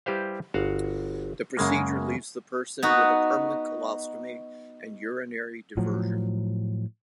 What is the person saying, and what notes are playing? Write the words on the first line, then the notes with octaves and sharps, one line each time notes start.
The procedure leaves the person with a permanent colostomy and urinary diversion.
G3 E4 G4 B4 C5 F5
G1 F#4 F5 F#5
F#2 C#3 G#3 A#3
B3 D#4 F#4
A2 F3 F#3